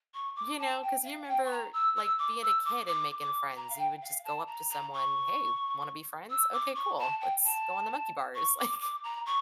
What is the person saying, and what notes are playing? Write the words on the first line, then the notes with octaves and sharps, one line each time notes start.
You know, 'cause you remember, like, being a kid and making friends, you would just go up to someone, "Hey, wanna be friends? Okay, cool. Let's go on the monkey bars," like,
C#6
D6
A5
G5
F5
G5
C#6
A#5
E6
E6
D6
E6
D6
D6
D6
A#5
F5
G5
F5
A5
A#5
A#5
C#6
E6
D6
C#6
A5
G5
A5
C#6
D6
D6
A#5
C#6